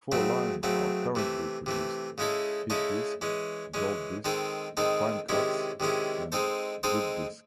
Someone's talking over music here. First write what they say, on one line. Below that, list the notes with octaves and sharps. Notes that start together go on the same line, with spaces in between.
Four lines are currently produced: HitDisc, GoldDisc, PrimeCuts, and VidDisc.
C#3 F#3 A3 C4
C#3 F#3 A3 C4
C3 E3 A3
C3 E3 A3
C#3 G#3 C#4 E4 A4
C#3 G#3 C#4 E4 A4
E3 G#3 C#4
E3 G#3 C#4
D#3 G#3 C4 D#4 A4
D#3 G#3 C4 D#4 A4
C3 D#3 G#3 C#4 E4
C3 D#3 G#3 C#4 E4
G#3 C4 D#4 A4 C5
G#3 C4 D#4 A4 C5